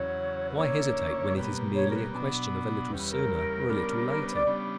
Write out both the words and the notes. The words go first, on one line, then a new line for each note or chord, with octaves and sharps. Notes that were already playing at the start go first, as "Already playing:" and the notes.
Why hesitate when it is merely a question of a little sooner or a little later?
Already playing: E2 C#3 F#3 C#5
B4
D3 A#3 C#4 E4 C#5
B2 G3 A#3 B4
C#5
A#4
B4
B2 F#3 B3 D4
E2 C#3 G3 B4
A#4
C#3 G3 B3 D4
A#4
B4
D5
C#3 G3 B3 D4